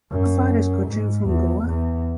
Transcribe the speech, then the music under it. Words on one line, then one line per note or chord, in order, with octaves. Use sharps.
How far is Cochin from Goa?
F#2
G#2
E2
E2